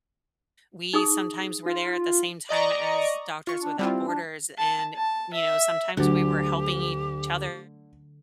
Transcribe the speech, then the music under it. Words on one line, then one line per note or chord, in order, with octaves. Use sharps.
we sometimes were there at the same time as Doctors Without Borders and, you know, sometimes we were helping each other
D#4 G#4 D#6
F4
D5 D#5 A#5 C#6
F4 C#6
D4
G3 C4 E4 F4
D4
A5
A5
E5
D2 D3 F#3 F#4 G4